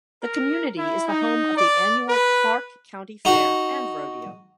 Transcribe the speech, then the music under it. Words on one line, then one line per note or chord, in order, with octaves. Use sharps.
The community is the home of the annual Clark County Fair and Rodeo.
A#4
E4
D#4
D5
B4
D#4 F#4